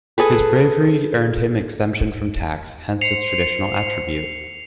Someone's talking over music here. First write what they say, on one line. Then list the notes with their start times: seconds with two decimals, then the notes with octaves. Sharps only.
His bravery earned him exemption from tax, hence his traditional attribute.
0.18 G#4 A4 B4
3.01 C5 C7 C#7 F7